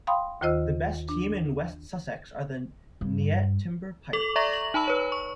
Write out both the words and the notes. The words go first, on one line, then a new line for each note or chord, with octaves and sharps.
The best team in West Sussex are the Nyetimber Pirates.
F5 G5 B5 C6 D#6
D#2 D#3 F4 C5 D#5 E6
D4
G2
A4 D6 F7 F#7
D5 E5 A#5 C#6 A#6
F#7
D#4 A5 B5 E6 F#7
B4 C#5
C#6